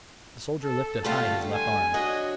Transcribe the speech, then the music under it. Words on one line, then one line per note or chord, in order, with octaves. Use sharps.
The soldier lifted high his left arm.
A4
D3 G3 A3 F4
G#5
D4 F#4 C#5 D#5